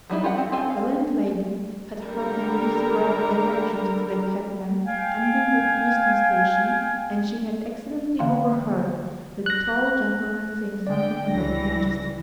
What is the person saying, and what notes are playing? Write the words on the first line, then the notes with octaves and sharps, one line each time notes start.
The landlady had heard them give several directions to the cabman, ending with Euston Station, and she had accidentally overheard the tall gentleman saying something about Manchester.
F#3 G3 D#4 E4
F4 G4 F#5
C4
C4 F4 A4 G#5
F5
D3 G3 D4 A4 A#4 A#5
F5 G5 G#5
D3 E3 A#3 F5 G5 C6
F#6 A#6
D3 D5 G5
C#2 E3 A#6